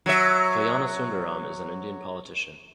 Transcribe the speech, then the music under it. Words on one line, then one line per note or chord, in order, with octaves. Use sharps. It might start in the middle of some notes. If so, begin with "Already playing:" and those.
Kalyanasundaram is an Indian politician.
F#3 E5